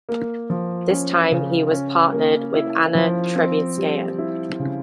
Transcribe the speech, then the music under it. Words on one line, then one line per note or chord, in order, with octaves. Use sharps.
This time he was partnered with Anna Trebunskaya.
A#3
F3
C#4
C#3
C#4
A#3
E4
F3
C4
G3
E4
C#3